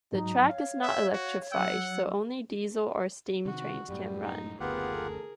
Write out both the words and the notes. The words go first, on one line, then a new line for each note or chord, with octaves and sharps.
The track is not electrified, so only diesel or steam trains can run.
G#2 F#3 D#4
C#5 F5
E5
F#4
F#3 F#5 E6
C3 D#3 F#4
F#2 A2 G3
D#4
F#1 D2 B3 F4 G4 G#4 A#4 F#5
A4